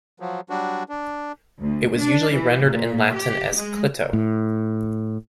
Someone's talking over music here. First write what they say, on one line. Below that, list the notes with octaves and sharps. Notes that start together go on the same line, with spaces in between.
It was usually rendered in Latin as "clito".
F3 F#3
F#3 G3 D4 F#4
D4
D2
D4
E3
A#2
G4
G#3
A2